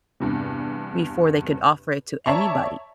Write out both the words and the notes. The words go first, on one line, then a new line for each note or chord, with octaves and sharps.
before they could offer it to anybody.
E2 G2 C3
C#5 D5 E5 A5 A#5 C#6